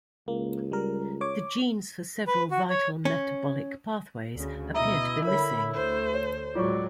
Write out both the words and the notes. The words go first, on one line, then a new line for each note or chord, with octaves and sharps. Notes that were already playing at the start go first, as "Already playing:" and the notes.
The genes for several vital metabolic pathways appear to be missing.
C#2 A#3
G3 A#4
C#5 D6
B4
F#4
C#5
C#4
D2 C#3
B2 E4 D#5 E5 A#5
D3 A#4 C#5 B5
D2 A3 C5
C#5
A2 F#3 G#3 F4 C#5 D5 C#6